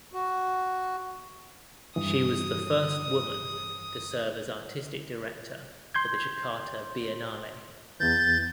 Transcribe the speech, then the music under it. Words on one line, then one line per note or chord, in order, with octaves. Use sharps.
She was the first woman to serve as artistic director for the Jakarta Biennale.
F#4
G2 E3 D#6
C6 G6 G#6
E2 E3 G6 A6